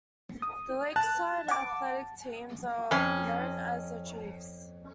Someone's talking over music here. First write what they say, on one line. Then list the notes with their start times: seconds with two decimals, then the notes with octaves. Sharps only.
The Lakeside athletic teams are known as the Chiefs.
0.42 D#6
0.96 A5 F#6
1.48 F#5 D6
2.91 F2 C#4